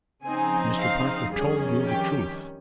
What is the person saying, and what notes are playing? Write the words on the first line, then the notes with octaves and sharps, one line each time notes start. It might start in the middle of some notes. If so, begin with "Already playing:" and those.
Mr. Parker told you the truth.
C#3 F3 C4 D#4 G#5
F5
F2 D#3 G3 C#4 G#4
G4